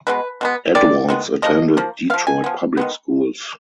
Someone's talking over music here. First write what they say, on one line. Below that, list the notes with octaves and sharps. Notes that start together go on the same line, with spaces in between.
Edwards attended Detroit public schools.
B2 G#3 B3 B4
B2 G#3 B3
D#3 G#3 D5
D#3 G#3 B3
F3 A#3 D#5
F3 A#3
B3 F5
F3
G#5
F3 B3
D#3 G#3 B3